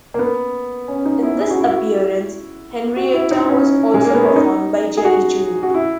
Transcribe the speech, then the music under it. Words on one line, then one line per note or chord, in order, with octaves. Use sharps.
In this appearance, Henrietta was also performed by Jerry Juhl.
A#3
B3
C#4
D#4
E4
G#4
F#4
E4
F#4
F#4
E4
D#4
C#4
G#3
A#3
B3
C#4
D#4
G#4
F#4
F#4
E4